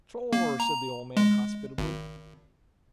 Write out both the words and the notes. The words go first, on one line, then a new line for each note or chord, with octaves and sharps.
"Shore!" said the old man hospitably.
A#3
A#5
G#3
G#1